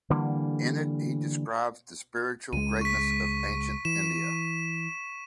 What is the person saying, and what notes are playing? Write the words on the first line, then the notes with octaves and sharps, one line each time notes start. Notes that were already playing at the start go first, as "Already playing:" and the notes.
In it he describes the spiritual greatness of Ancient India.
D3 E3 G3 A#3
C#2 G#3 D#7
C#6 B6
E3 E7